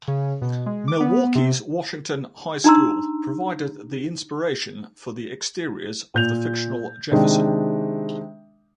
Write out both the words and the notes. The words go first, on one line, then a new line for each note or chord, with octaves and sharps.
Milwaukee's Washington High School provided the inspiration for the exteriors of the fictional Jefferson.
C#3
B2
G#3
D6
B3
C3
D4 D#4 A#5 C6 E6
A#2 G6 F7
C3 D#3 G#3 D4